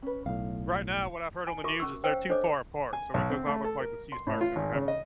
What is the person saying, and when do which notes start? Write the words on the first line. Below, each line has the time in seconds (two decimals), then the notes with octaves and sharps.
right now, what I've heard on the news is they're too far apart, so it does not look like the ceasefire is gonna happen.
0.02 C#4 B4
0.26 B1 A2 F5
1.47 G#5
1.64 F4 F#4 A#4 E5 C#6 D6
1.80 C#4 C#6 E6
2.04 C5 C#5 F5 G5 E6
2.29 D4 A4 C5 C#5 D#5 D6
2.93 G#5
3.14 B1
3.30 C4
3.47 A3
3.64 A4
3.80 A#4
4.12 C6
4.27 A2
4.41 F4
4.56 G#1
4.74 C#3
4.88 D#5